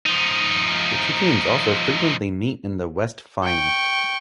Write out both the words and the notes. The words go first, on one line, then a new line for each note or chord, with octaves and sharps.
The two teams also frequently meet in the West Final.
F3 D#4
G5 C#6